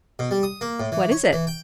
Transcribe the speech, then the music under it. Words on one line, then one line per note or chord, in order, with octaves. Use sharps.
"What is it?"
B2
G3
D#6
A#3
A2
E3
C#5
E3
G5